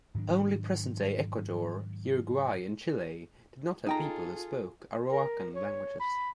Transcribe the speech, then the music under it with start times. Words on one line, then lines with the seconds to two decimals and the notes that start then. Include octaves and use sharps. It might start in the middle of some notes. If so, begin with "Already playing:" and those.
Only present-day Ecuador, Uruguay and Chile did not have peoples who spoke Arawakan languages.
0.15 G#2 D#3 F#3 D4
3.87 D#4 F4 G#4 A4 G5 A#5
5.11 A#4
5.55 C#5
6.00 B5